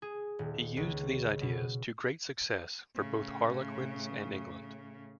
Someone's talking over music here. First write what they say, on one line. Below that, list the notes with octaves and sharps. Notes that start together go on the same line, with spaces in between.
He used these ideas to great success for both Harlequins and England.
G#4
D#1
C#2
B2
A2 C#3